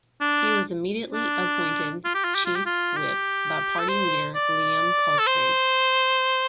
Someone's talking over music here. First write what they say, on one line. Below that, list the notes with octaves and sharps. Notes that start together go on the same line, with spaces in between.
He was immediately appointed Chief Whip by party leader Liam Cosgrave.
D4
D4
F4
G4
F4
G4
F4
G4
F4
G4
A4
C5
D5
A4
C5